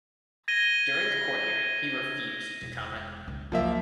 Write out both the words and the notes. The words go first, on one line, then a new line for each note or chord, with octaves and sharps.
During the court hearing he refused to comment.
G#6 A#6 D#7 G7
E1
C#2
F3 F#3 A#3 E5